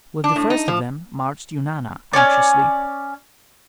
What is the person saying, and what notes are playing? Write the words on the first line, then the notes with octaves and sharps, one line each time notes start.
With the first of them marched Eunana, anxiously.
D4
A2
D#4
F3
C#4 F#4 C#5 D5